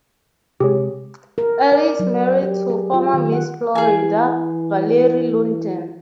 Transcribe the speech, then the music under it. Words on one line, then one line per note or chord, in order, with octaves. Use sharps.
Ely is married to former Miss Florida, Valerie Lundeen.
C3 G#3 G4 G#4 C#5
A#4
D5
F#3
G4
G#4
F4
D#3
F#5
E3 G#4 G#5